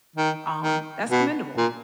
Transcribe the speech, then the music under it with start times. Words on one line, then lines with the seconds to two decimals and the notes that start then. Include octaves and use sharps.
um, that's commendable
0.16 D#3
0.63 D#3
1.10 B2
1.58 A#2